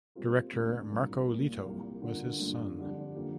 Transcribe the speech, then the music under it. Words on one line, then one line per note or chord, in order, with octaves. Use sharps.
Director Marco Leto was his son.
A#2 G3 C4 F4 A#4
D2 C3 A#3 D4
C2 A#2 A#3
A#2 A#3 F4 A#4
C2 A#2 A#3 G4
D3 A#3 F4 A#4
G2 D3 G3 A#3 F4
F2 D3 G3 D4
D3 F3 A#3 G4